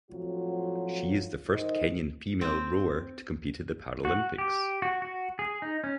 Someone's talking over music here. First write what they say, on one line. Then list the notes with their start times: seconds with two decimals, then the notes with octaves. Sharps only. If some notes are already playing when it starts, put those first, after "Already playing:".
She is the first Kenyan female rower to compete at the Paralympics.
0.11 A2 F3 F#3 C4 F4 F#4
1.52 D#3 C5 D#5
2.41 C4
4.05 F#4
4.38 G4
4.82 F#4
5.02 F#4
5.39 G#4
5.62 D#4
5.84 C#4